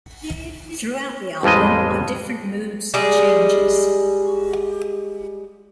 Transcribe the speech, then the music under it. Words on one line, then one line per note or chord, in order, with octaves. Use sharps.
Throughout the album are different moods and changes.
A1 F2 G3 G#3 D#5
G3 G#3 G#4